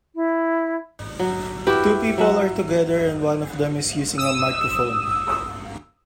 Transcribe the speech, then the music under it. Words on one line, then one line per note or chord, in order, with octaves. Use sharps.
Two people are together and one of them is using a microphone.
E4
F#3
E4 F#4 G4 B4
F#3 E5 F#5
D#6 E6